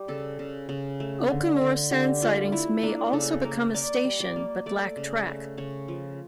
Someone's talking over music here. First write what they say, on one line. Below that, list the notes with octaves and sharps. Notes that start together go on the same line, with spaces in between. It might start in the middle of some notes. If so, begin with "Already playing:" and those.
Oakamoor sand sidings may also become a station, but lack track.
Already playing: G3 G4
C#3 A4
C#3
C#3
A3
D3
D3
D3 G4
A3 F4
A3 E4
A#3 D4
C#3 A4
A#3 A#4
A#3 D5
G3
D5
A#3
A3 D5
C#3
A3
C#3 C#5
F3